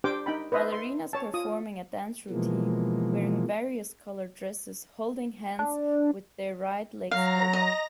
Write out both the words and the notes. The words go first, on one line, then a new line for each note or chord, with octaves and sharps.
Ballerinas performing a dance routine wearing various colored dresses holding hands with there right legs held up.
D4 G4 C5 G5 D6
D#4 G5 B5
B4 C5 D#5 E5
C6
C#5 A5
F4 D#6
B2 E3 F3 G#3 A#3
D4
F#3 F5 A#5 A#6
D#5